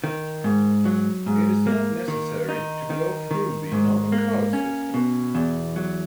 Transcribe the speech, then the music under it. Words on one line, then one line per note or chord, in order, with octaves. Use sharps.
It is not necessary to go through the normal court system.
D#3
G#2
F#3
G#2
A#3
D#3
D#4
D#3
D#3
G#2
A#3
C#4
B2
E2
F#3